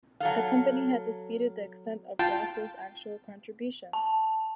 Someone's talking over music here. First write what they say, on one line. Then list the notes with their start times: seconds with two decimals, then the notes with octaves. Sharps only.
The company had disputed the extent of Ross's actual contributions.
0.20 F#3 A4 F5
2.19 F4 G5 A5
3.93 A5